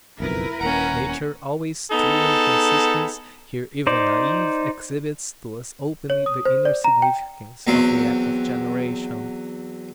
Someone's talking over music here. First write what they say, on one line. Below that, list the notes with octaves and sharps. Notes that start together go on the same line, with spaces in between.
Nature, always true and consistent, here even naive, exhibits to us openly the inner significance of the act of generation.
F#1 B1 F2 E4 A#4 B4
D#1 A#3 C#4 F#5 A#5
B3 D#4 G#4 A4
D#4 C5 D5
C#5
D#6
C5
D5
A#5
G5
E2 F#3 C4 F5